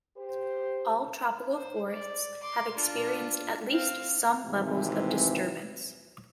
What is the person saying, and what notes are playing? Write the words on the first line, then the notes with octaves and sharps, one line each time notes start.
All tropical forests have experienced at least some levels of disturbance.
G4 C5
C5
D5
C6 D6
D4 F4
C4 F5
G#1 G#2 C3 E3